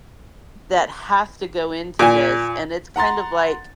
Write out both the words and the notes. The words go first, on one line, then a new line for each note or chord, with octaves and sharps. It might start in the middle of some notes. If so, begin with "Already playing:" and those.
that has to go into this, and it's kind of, like,
A#2 G#5
F#5 A#5 C6 A6